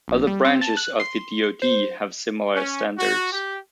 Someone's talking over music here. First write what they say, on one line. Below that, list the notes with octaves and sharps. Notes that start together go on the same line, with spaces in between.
Other branches of the DoD have similar standards.
A#1
G3
C4
A5
F#6
C6
C5
C#4
F#4
G4